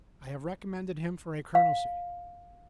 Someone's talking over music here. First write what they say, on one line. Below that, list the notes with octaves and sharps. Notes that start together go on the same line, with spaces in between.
I have recommended him for a colonelcy.
F5